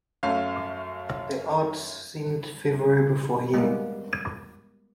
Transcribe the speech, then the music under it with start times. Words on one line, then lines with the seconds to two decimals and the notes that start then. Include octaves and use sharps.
The odds seemed favourable for him.
0.23 F#2 A3 C#4 F5 F6
3.54 G3 G#3 A#3 B3